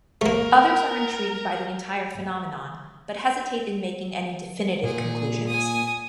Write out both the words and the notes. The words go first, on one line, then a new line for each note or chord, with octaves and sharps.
Others are intrigued by the entire phenomenon, but hesitate in making any definitive conclusions.
A3 A#3 A#4
A#2 G#4
G#5 D#6